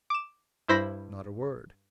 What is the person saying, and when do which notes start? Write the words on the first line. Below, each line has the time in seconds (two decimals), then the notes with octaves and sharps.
"Not a word."
0.10 D6 E7
0.68 G2 E4 C5 B5 A#6 B6